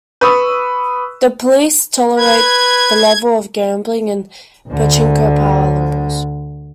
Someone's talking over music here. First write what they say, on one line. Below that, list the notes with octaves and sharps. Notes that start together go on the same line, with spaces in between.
The police tolerate the level of gambling in pachinko parlors.
B4 C#6 D#6 E6
B4 G#6
D2 D3